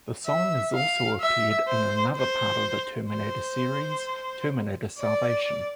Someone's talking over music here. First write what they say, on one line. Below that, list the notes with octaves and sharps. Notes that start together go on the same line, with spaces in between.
The song is also appeared in another part of the "Terminator" series, "Terminator Salvation".
E5
F5
E5
C5
C5
C5
D5